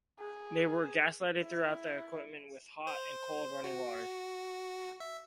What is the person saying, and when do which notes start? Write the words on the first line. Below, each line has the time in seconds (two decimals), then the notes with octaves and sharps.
They were gas-lighted throughout and equipped with hot and cold running water.
0.19 G#4
1.42 E4
2.87 C5
3.64 F#4
5.00 E5